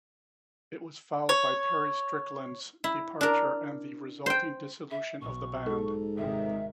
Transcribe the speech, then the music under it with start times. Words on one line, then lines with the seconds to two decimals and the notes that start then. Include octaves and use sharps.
It was followed by Perry Strickland's departure and the resulting dissolution of the band.
1.29 C#5
2.84 E4
3.21 D4 A#4
4.26 C5 G5
4.90 E5
5.20 B1 C#6
5.66 G#2 G#4 A4
6.17 G#1 C3 D#3 E5